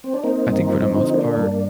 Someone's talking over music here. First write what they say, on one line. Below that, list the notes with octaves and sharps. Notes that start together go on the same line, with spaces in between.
I think for the most part
C4
D4
A#3 C4 D#4
G2
F3
D3
A#3 D4
G2